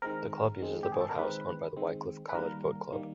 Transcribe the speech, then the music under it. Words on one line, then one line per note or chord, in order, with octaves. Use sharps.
The club uses the boathouse owned by the Wycliffe College Boat Club.
D#3 G#3 C4 A#4
D#3 G#3 C4
G4
G#4
A4
A#4
D#3 G#3 C4 B4
D#3 G#3 C4
B4
D#3 G3 A#3 A#4
D#3 G3 A#3